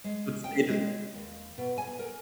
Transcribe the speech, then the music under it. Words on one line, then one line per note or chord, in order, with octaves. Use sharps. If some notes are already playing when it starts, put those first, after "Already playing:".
what state is that?
G#3
G5
G#3
D#2
B2
G#5
A#4